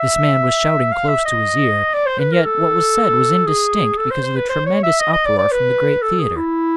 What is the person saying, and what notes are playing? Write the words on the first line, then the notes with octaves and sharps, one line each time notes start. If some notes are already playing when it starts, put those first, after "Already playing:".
This man was shouting close to his ear and yet what was said was indistinct because of the tremendous uproar from the great theatre.
Already playing: E5
F5
E5
D#5
D5
C5
B4
A#4
A4
G#4
A4
C5
C5
B4
C5
C#5
E5
D#5
D#5
D5
D5
B4
A4
G#4
E4